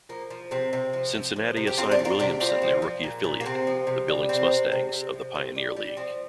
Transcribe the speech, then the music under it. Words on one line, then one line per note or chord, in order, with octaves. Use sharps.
Cincinnati assigned Williamson their rookie affiliate, the Billings Mustangs of the Pioneer League.
F3 A#3
F3
C3 C4
C3
F3
F3
F3
C3
G4
C3 C4 F4
D4 G4
C3
F4 A#4
C3 D4 G4
G3 C4 F4
F3
F3
A#2
A#2
A#3
C3 C4
F3
C3
G3
C3 C4
C3
C3
C3
F3
C3
G3
G3
F3 C4